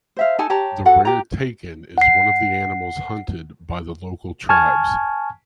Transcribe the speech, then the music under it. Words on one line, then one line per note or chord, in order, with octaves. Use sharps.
The rare takin is one of the animals hunted by the local tribes.
C5 E5 F5
D#4 A4 G#5 A5
G4 C#5 A5 A#5
F#4 A4 F#5
G4 A#5
F#5 C7
G#5 A5 C#6 F6 G#6